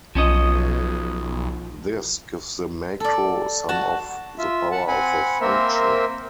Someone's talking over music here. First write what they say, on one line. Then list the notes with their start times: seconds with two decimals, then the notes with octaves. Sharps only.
This gives the macro some of the power of a function.
0.15 B1 F3 C#4 D#5
3.00 A4 D5
3.69 F#4 A5
4.38 F4 E5
4.71 F#5 A5
4.88 C4 F#5 G#5 B5
5.41 A#3 C4 A#4 C5 E5